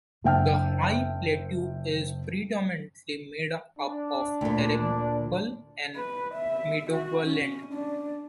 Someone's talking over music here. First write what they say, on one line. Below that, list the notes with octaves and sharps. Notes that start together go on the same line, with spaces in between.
The high plateau is predominantly made up of arable and meadowland.
F#1 D4 E5 G5 A5 F6
D4
D2 A#2
B4
E5
F#4
C#4
D4